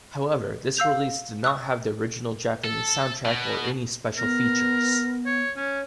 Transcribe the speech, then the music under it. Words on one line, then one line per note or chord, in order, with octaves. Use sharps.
However, this release did not have the original Japanese soundtrack or any special features.
F5 E6 G6 F7
C#6 D#6 E6 F#6
A4
B2
B3 A#4
C#5
C#4 C#5